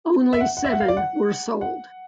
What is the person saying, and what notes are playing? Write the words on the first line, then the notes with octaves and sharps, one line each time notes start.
Only seven were sold.
E5
F#5
F#5
E5
F#5
F5
D5
F#5
F#5